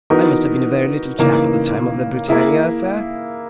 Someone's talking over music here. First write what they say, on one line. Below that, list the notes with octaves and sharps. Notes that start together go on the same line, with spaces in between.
I must have been a very little chap at the time of the Britannia affair.
E3 B3 D#4 F#4 A#4
C#3 E3 A#3 D#4
A#3 E4 G#4